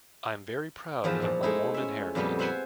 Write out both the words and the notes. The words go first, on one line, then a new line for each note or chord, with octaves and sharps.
I'm very proud of my Mormon heritage.
E2 G#2 F3 B4 A5
A#2
G#3 A3 D#4 E4
C#4 E5
F2 A#2 G3 B3
C5 E5 F#5 G#5 B5 C6